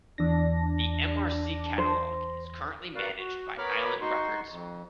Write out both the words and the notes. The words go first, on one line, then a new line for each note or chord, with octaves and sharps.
The EmArcy catalogue is currently managed by Island Records.
E2 D4 A#6
C5
F#4 A#4 B4 D5 F5
F#4
B3 A#4 C#5 B5 D6 F6
D#4 F#4 C6 C#6
F2